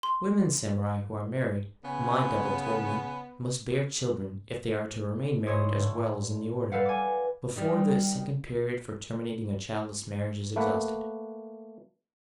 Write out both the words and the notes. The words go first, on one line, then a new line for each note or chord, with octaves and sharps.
Women samurai who are married, my double told me, must bear children--if they are to remain married as well as in the order--before the second period for terminating a childless marriage is exhausted.
C6
C#3 B3
G#2 E4 C#5 C6 D#6
A2 D3
G3 A4 B4 F5 F#5
G#5 D6
D#3 G3
A3 A#3 B4 F#5